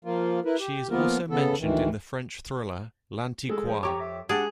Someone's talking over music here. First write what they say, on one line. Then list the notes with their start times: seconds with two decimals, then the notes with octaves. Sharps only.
She is also mentioned in the French thriller "L'Antiquaire".
0.05 F3 A#3 F4
0.45 E4 A#4 B4
0.59 G4
0.90 F3 A#3 B3 F4 A#4
1.30 C#3 B3 A4
1.59 D2 D#3 E3
3.49 G#3 A4
3.65 F3
3.83 F2 G4 C#5 A#5 D6
4.00 E5
4.29 G#3 D4 G4 G#4 F#5